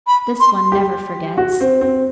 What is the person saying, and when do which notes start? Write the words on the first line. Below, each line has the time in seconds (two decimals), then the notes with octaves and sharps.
"This one never forgets!"
0.07 B5
0.40 C6
0.72 G4
1.38 F#4
1.61 C4
1.81 C4